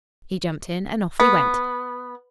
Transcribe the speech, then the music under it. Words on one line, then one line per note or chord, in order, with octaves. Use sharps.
He jumped in and off we went.
B3